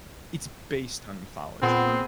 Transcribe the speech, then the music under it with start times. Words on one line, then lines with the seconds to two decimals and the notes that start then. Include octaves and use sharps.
It's based on mythology, it's
1.62 A#2 B3 C4 G#4 B5